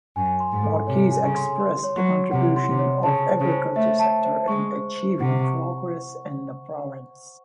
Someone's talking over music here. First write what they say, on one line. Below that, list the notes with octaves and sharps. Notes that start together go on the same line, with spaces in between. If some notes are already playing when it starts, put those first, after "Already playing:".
Marquez expressed the contribution of agriculture sector in achieving progress in the province.
F#2 G#5
C6
G#2
A4
C3 C#5
G#5
C#3
C6
C6
C#5
F#3
C#5
C3 F#5
C6
C3
C#5
C#3 A5
C5
C#3
C5
A3 E5
A5
C5
G#3 C#6
C5
C5
C3 F#5
C#6